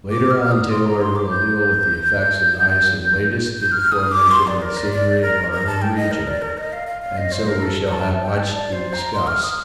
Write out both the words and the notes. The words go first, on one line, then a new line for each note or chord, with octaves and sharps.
Later on Taylor will deal with the effects of ice and lead us to the formation of the scenery of our own region, and so we shall have much to discuss.
D6
F6
F6
D#6
C6
A#5
C6
D6
G6
G6
F6
D#6
D6
C6
D5
A#4
D5
D5
A#4
A#4
A5
G5
D#5
A#4
D5
A#4
D#5
F5
F5
F5
D#5
C5
A#4
A4
A#5
A5
G5
A5
D5
C5
A#5
C6
F6
D#6